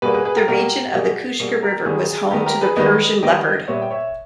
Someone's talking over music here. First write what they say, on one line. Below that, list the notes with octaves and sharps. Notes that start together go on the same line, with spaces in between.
The region of the Kushka River was home to the Persian leopard.
B2 G3 A#3 G#4 B4
G#4 B4
G#4 B4
G4 A#4
B2 G3 A#3 G4 A#4
G4
B2 G3 A#3 G#4
B2 G3 A#3 G#4
G4 A#4
D#3 G3 B3 G#4
G#4
D#3 G3 B3 G4 A#4
G4 A#4
G#4 B4
D#3 G3 B3 B4 D#5
D#3 G3 B3 D#5 G5
A#2 G3 B3 C#5 E5
G5
C#5 E5